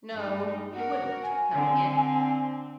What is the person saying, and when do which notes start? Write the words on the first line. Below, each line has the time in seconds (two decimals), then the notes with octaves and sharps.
"No, he wouldn't, coming in."
0.12 G2 G3 D#4
0.72 F#4 A#4
1.23 G#5
1.52 D3 C4